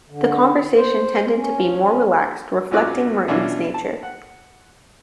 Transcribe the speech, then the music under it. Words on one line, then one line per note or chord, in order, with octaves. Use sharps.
The conversation tended to be more relaxed, reflecting Merton's nature.
D3
C5
C#4
B1 C#4 F4 F#4 D5 F#6
B2 E3 C#4 D4 E4 F4
A5
F#5